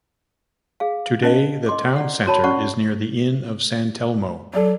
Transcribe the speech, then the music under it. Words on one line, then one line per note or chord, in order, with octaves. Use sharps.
Today the town centre is near the Inn of San Telmo.
G#4 F5
C#4 D#4 D#5
D#5 C6 D6
E4 D5 F#5
F#4 A#4 C#5 A5 B5
C#4 D5 F#5 C#6
F#3 A4 D5